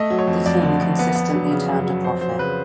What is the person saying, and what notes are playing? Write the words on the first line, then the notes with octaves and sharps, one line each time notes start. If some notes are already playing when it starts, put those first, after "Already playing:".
The team consistently turned a profit.
Already playing: A3 D#5
F#3
C#5
F2
F2 D5
D3
F2
B3
B3
F#3
C#3
F#2
F#3
F2 C5
F#3 C5
C#3 B4